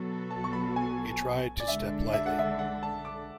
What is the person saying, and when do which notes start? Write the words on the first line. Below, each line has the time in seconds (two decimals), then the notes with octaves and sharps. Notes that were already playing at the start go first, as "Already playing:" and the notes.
He tried to step lightly.
Already playing: B2 F#3 B3 F#4 A4
0.31 A5
0.44 C#6
0.53 B5
0.76 G#5
1.60 D5
1.67 D3 G#3 D4 A4 E5
2.13 E5
2.26 F#5
2.39 E5
2.59 F#5
2.83 A5
3.05 D6